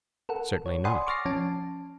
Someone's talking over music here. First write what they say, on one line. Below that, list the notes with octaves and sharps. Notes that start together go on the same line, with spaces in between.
Certainly not.
A4 A#4 F#5
C#5
D5 F#5 G#5 B5 C6 D#6
C#6 D6 F6 A6 A#6 C7
F3 C#4 A5 D7